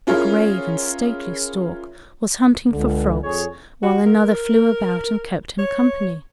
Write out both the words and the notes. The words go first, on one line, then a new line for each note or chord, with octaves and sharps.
A grave and stately stork was hunting for frogs, while another flew about and kept him company.
C#4 E4 F4 G#4 A#4 C#5
C#2 D3
F2 G#4 C#5
F#4
A#4
C#5